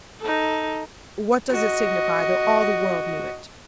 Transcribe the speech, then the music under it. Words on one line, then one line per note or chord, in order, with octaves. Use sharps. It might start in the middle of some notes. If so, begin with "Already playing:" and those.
"What does it signify though all the world knew it?"
D#4 A4
F#4 D#5